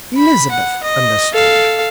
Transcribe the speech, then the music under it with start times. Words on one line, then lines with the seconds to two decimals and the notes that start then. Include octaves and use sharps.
Elizabeth understood.
0.17 B5
0.51 F#5
0.83 D#5
1.32 A4 F5